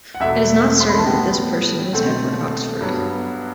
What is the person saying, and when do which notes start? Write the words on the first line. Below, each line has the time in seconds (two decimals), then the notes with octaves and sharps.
It is not certain that this person was Edward Oxford.
0.15 F#5
0.20 E2 B2 A3 E5
0.80 C6
0.89 B5
0.98 A5
1.07 A2 G3 B3 G5
1.93 B2 A3 C4
2.81 G2 F#3 B3